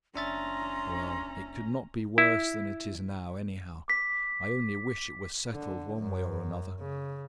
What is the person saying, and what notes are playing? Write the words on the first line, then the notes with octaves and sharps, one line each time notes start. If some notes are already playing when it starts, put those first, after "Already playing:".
"Well, it could not be worse than it is now, anyhow; I only wish it was settled one way or another."
F#1 C#4 D4 E5 A#5 C6 A6
E4
D6 B6
D3
F#2
C#3